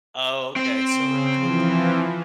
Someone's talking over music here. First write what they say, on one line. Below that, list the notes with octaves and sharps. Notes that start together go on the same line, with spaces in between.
Oh, okay. So, close.
C4 C5
C#3
E3 F3